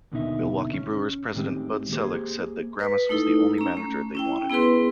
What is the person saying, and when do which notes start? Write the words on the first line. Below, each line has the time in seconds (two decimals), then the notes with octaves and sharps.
Milwaukee Brewers President Bud Selig said that Grammas was the only manager they wanted.
0.12 D#2 B2 D3 D#4 E5
0.73 C#4
1.35 A2 D#3 G#3 C4 G4
1.92 A#3 G4 G#4 C5
2.80 B4
3.09 A3 D#4 E4 A4
3.58 C#4 A#5
3.77 A3
4.15 C#4 E4 G5
4.50 B3 E4 G#4 B4 C6